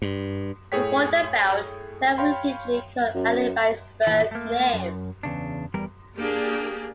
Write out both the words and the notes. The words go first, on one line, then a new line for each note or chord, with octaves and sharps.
Before the bout, Terrell repeatedly called Ali by his birth name.
G2
A2 G#4 A4 C#5 G5 B6
C#5 F5 G5 B5 C6
F#2
A#2 E3
A3 A#3
F#2
E2 C#3 D4
E2 G3 A#4
A#3 D4 G4 G#4